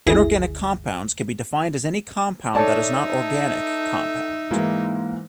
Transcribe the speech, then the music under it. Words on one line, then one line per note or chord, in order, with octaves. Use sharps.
Inorganic compounds can be defined as any compound that is not organic compound.
G1 D2 E4 G#4 A#6
D#4 A4 C#5 D5 E5 A5
G#2 E3 G#3 A#3